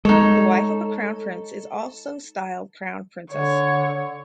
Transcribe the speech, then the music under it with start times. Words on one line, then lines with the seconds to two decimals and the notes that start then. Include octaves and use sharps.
The wife of a crown prince is also styled crown princess.
0.05 G#3 D#4 A4 C#5
3.31 D3 C#5